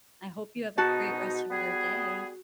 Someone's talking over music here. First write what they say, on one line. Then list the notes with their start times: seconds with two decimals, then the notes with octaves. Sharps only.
I hope you have a great rest of your day.
0.78 G#2 B2 D#4 F#4 A5
1.51 G3 B3 G#4